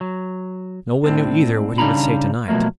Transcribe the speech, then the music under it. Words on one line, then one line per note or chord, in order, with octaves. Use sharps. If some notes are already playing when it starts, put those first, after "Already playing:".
No one knew either what he would say to-night.
F#3
A2 C4 D4
C#3 G3 D4 D#4 A#5 B5
B2 F3 F#3 A3 A#3